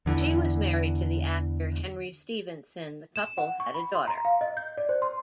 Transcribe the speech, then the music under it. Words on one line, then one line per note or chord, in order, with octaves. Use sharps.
She was married to the actor Henry Stephenson; the couple had a daughter.
E2 D3 E3
E7
F#5
C#6
B5
C6
A#5
F5
D#5
G6
D5
C5
C6